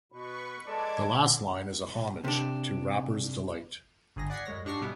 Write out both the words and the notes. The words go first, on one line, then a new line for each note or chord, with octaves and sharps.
The last line is a homage to Rapper's Delight.
B2 B4 B5 C#6
G#3 A4 D5 A5 D6 G#6
C3 D4
G1 G#4 A#6
D5 F#5 B5 G#6 A#6 C7
F#2 G#3 C#5 A#6
G#2 D4 G4 C#6 A#6 C7
B2 G3 G#3 B3 E4 G4